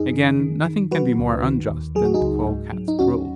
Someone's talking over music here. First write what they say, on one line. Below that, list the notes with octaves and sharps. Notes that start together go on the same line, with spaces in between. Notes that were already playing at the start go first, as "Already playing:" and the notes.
Again, nothing can be more unjust than to call Cats cruel.
Already playing: F#2 D#4 G#4
D#3
D#3
D#3
F#3 F#4 B4
C#2
D#3
D#2
F#3 G#4
F#4
D#4 G#4
C#2
G#2
F#3
D#4
D#2 C#4 F#4